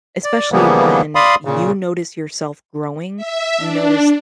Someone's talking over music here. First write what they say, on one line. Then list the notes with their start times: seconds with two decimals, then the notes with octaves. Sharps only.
especially when, you notice yourself growing, you notice,
0.24 D5
0.52 C#3 E3 F3 G3 A#3 B3
1.15 D5 F5 B5 C6 D#6
1.45 A#2 C#3
3.16 E5
3.57 D4